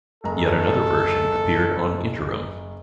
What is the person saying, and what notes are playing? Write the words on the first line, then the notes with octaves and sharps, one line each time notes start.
Yet another version appeared on "Interim".
F#1 A4 A#5